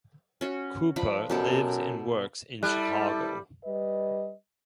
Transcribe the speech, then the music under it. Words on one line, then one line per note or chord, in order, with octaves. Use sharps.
Cooper lives and works in Chicago.
C#4 F#4
F3 D4 B5
F#2 B2 G4 A4
G3 E4 A4 F#6
G3 B4 D#5